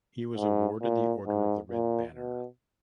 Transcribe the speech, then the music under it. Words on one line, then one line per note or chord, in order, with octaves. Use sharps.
He was awarded the Order of the Red Banner.
G#2
A#2
G#2
A#2
B2